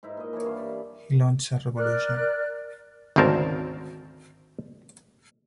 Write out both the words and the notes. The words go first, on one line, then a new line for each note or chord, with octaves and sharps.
He launched a revolution.
G#2 D#4 E4 B4
A#2 A#4 D#5
E3 F3 A#3 C#5
G2 E3 F5
B4 D5
A#4 D5 F6 F#6
G#1 D2 C#3 C4 A#4 A5